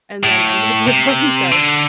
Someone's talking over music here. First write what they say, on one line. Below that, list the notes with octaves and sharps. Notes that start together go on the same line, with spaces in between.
and then I'm like, "Where are you guys?"
A2
C3
D3